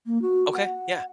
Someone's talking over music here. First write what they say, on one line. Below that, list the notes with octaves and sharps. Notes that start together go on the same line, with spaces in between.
Okay. Yeah.
A#3
F#4
F#5